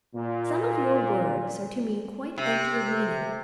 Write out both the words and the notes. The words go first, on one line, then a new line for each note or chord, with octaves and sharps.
Some of your words are to me quite empty of meaning.
A#2
C3